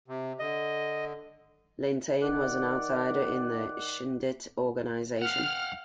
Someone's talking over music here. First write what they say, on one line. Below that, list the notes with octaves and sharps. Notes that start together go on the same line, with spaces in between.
Lentaigne was an outsider in the Chindit organization.
C3
D3 D#5
D#3 D5 F#5
F5 F#5 F6